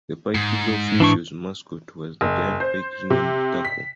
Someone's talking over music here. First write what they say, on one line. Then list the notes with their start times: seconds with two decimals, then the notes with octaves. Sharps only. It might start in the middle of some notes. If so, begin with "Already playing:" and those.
The Pike's official mascot was a giant Pike named Tackle.
0.35 G#2
1.00 E3 D4 C#6
2.21 F#1
2.60 C5
3.10 C3
3.65 B6